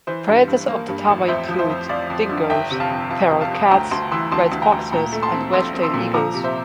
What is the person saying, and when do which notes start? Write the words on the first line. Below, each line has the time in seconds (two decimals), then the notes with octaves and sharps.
Predators of the tammar include dingos, feral cats, red foxes and wedge-tailed eagles.
0.07 E3 C5
0.28 G2
0.47 G2
0.68 A#3
0.88 G2
1.08 A1
1.28 F2 C5 E5
1.49 F3
1.59 C5 E5
1.69 F2
1.89 F2 D5 F5
2.10 F2
2.29 D3
2.50 G1 E5 G5
2.71 C3
2.80 F5 A5
2.90 F2
3.10 F2 F5 A5
3.31 F2
3.41 F5 A5
3.51 G1
3.71 D2 G5 A#5
3.91 D2 A5 C6
4.11 E3 C6 E6
4.32 D2 A5 C6
4.52 D2
4.62 G5 A#5
4.72 D2
4.92 A#2 G5 A#5
5.13 A3
5.23 A5 C6
5.33 C4
5.53 A#1 C6 E6
5.73 C4
5.83 C6 E6
5.94 A#2
6.14 F3 A#5 D6
6.34 C3
6.44 C5 E5